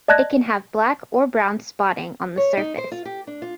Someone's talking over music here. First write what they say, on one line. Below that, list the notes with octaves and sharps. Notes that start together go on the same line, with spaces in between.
It can have black or brown spotting on the surface.
D5 D#5 A5 F#6 G#6 A#6
C#5
D#4
C5
F4
G4
D4
F4